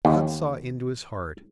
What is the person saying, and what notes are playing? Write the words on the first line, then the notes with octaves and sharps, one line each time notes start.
God saw into his heart.
D#2